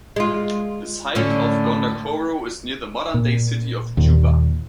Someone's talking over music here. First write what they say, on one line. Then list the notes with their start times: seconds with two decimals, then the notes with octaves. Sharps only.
The site of Gondokoro is near to the modern-day city of Juba.
0.16 G#3 F4
1.15 A2 D3 C#4
3.14 A#2
3.97 D#2 A#2